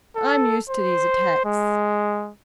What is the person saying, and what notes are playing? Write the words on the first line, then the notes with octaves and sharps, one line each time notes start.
I'm used to these attacks.
A4
C5
G#3